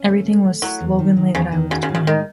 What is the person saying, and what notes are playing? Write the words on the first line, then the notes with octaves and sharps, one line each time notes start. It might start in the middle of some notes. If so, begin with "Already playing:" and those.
Everything was slovenly that I was doing.
Already playing: C#4
A3
A3
A3
F#3 E4
E2
D#3
D#3
E2 C#3
D#3
C#3 F#4
C#3
A2
C#3
D#3 G#3